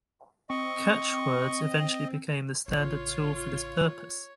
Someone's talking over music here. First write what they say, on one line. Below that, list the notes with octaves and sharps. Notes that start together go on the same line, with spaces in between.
Catchwords eventually became the standard tool for this purpose.
C4 D#5 C#6
A1 C#3 F4 C#5